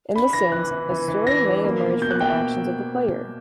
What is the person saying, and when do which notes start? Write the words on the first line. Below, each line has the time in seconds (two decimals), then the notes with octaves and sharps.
In "The Sims", a story may emerge from the actions of the player.
0.15 D4 B5
0.33 E3 A#6
0.52 E3 F#6
0.71 E3
0.90 E3
1.08 E3
1.26 E3 A#6
1.45 D4
1.64 A#3
1.82 B2
2.01 B2 G6
2.11 F#6
2.20 B2 G5
2.30 E5